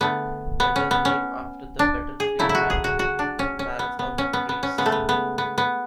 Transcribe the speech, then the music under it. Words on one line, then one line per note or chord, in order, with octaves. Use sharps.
It is named after the battlefield at Marathon, Greece.
D3 A3 B3
B3
C#4
B3
C#4
D4
G#4
C#3 F#3 A3 E4
E4
F#4
G#4
F#4
F#4
D4
C#4
C#4
B3
B3
C#4
B3
B3
C#4
C#3 G#3 B3
A3
B3
B3
B3
B3